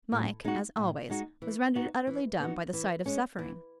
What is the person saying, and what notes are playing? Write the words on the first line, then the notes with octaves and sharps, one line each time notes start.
Mike, as always, was rendered utterly dumb by the sight of suffering.
A2
G#3 D#4 F#4
A2
G#3 D#4 F#4
E3
B3 D#4 F#4
E3
B3 D#4 F#4
E3
G#3 C#4
E3